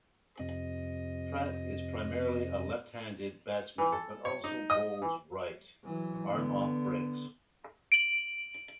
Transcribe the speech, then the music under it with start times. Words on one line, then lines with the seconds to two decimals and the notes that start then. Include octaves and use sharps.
Pratt is primarily a left-handed batsman but also bowls right-arm off breaks.
0.39 F2 C3 D#5
3.78 E3
3.92 A4
4.25 C#5
4.44 D#4
4.70 D#5
5.02 E3
5.84 E3 F#3
6.29 D3 B3
7.92 D7 F#7